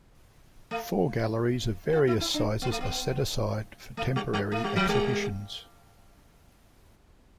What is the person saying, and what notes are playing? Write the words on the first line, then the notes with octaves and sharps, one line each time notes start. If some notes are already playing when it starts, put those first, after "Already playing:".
Four galleries of various sizes are set aside for temporary exhibitions.
A3
F4
E4
E4
D4
B3
A3
B3
A3
G3
G3
A3
G3
F3
G3